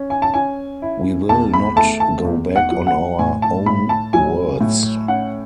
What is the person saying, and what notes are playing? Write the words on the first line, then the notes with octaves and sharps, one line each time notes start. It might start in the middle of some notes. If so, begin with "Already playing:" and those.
We will not go back on our own words.
Already playing: C#4
G#5
A5
C#4 G#5
E4
E2 A5
B5
A3 A5
A5
E2
F#5
F#3
F#5
A2 G#5
A5
A2 B5
A5
F#3 G#5
A2
C#4 F#5